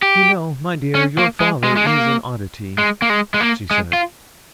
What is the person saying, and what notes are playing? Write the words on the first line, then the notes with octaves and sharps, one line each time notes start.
'You know, my dear, your father is an oddity,' she said.
G4
C#4
A#3
G#3
G#3
G#3
A#3
G#3
A#3
G#3
G#3
A#3
G#3
F4